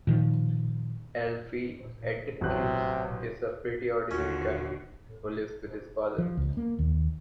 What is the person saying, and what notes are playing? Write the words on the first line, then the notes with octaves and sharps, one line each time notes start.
Alfie Atkins is a pretty ordinary guy, who lives with his father.
A#2 D#3 F3
A1 C3 F#3 F#6
D#2 D3 C#4 F4 F#4
F3
C#2
A#3
D#2